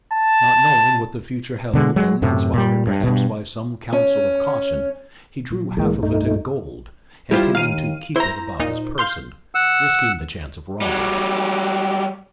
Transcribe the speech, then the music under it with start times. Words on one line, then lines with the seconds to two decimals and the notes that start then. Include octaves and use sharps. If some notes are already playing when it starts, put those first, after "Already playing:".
Not knowing what the future held, and inspired perhaps by some counsel of caution, he drew half of it in gold, intending to keep it about his person, risking the chance of robbery.
0.13 A5
1.74 B2 D3 G#3
1.96 F#3 G#3
2.22 F#2 A2 C3
2.54 A#2 G3
2.87 G2
3.03 G2 B2
3.93 C#4
5.50 A#2 F#3
5.77 C2 A2 E3 G#3 A#3
6.03 G2 A3 D#4
7.31 G3 E4 F4 G4 C5
7.55 D#2 F5 D#7
8.16 E4 C5 A#5
8.60 A#2 D#4
8.98 F5 C6 G6
9.55 F#5 E6
10.81 F#3 G3